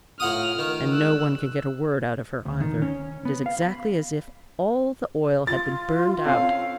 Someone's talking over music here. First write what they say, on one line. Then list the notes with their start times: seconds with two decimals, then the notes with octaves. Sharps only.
"And no one can get a word out of her, either; it is exactly as if all the oil had been burned out."
0.20 A2 F4 F#5 D#6 F6
0.59 D#3
0.93 G#3 D4 E6 F#6
2.45 D2
2.60 D#3
2.82 C#4
3.25 B3
3.46 F5
3.62 B5
5.47 F4 A6
6.25 C4 C#4 A4 F5